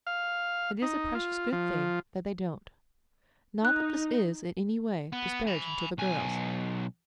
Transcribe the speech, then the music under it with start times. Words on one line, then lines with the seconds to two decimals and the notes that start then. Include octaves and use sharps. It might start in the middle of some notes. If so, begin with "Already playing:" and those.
It is a precious good thing that they don't.--Not that this is in any way disparaging to the girls.
0.07 F5
0.82 D#4
1.15 F4
1.53 F3
3.65 D#4 F#6
5.12 B3
5.47 G#5 B5
5.98 B1 G#5